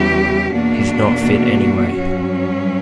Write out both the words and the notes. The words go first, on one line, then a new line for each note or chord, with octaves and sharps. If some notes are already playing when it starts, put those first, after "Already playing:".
He's not fit anyway.
Already playing: E2 C#3 E3 G3 G4
E2 B2 A#3 D4 F#4
G2 F#3 C#4